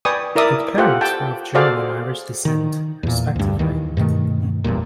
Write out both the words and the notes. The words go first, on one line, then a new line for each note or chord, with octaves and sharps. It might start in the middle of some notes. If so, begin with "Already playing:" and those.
His parents were of German and Irish descent, respectively.
B4 D5 G5 G#5 C#6 D#6
E4 A#4 D5 E5 D#6
F4 G4 A4 C5 F#5
G5 A5
F#4 G#4 A4 C5 D5 F5
D#3
E2 A#2
D2 G2
D#2 D#3 E3
G2 B2 D#3 A3
G1 E2 G2 A#2